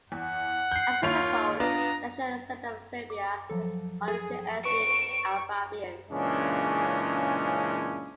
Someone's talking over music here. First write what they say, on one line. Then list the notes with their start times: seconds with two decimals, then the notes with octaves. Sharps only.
As a result, the National Assembly of Serbia has only two ethnic Albanians.
0.12 E2 F#5
0.72 G6 C7
1.03 D#2 F4 C#5 F7
1.60 B3 D4 F4 A#5
3.10 D6
3.50 F3 F#3 A4
4.08 G#4
4.65 B4 C#6 D7 E7
6.11 A#2 C#3 E3 G#3 C#4 D4